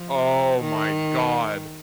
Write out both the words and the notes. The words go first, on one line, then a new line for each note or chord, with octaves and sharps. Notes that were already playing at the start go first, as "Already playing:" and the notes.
Oh, my god.
Already playing: F3
D#3